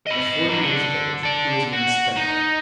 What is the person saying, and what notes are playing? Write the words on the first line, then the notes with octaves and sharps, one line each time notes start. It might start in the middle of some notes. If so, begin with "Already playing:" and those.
At forty years of age he was an inspector.
D#5 B5
F#3 D4
D3
A4 D5
F#4
D#4